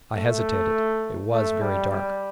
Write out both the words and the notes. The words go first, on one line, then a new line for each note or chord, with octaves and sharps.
I hesitated: it was very dark.
A3
A3
G3
G3